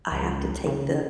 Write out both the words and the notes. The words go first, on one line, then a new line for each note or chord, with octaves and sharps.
I have to take the
C#2
C#3